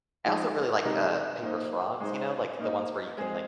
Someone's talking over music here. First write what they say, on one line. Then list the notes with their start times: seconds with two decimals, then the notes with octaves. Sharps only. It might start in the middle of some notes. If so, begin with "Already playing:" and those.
I also really like, uh, paper frogs, you know, like the ones where you can, like,
0.25 F3 G#3 D#4
0.84 C3 G#3 D#4 A#4 D#5
1.43 A#3 D#4 C5 D#5
2.00 G#3 D#4 C5
2.59 A#3 D#4 C5 D#5
3.17 G#3 C4 G#4 D#5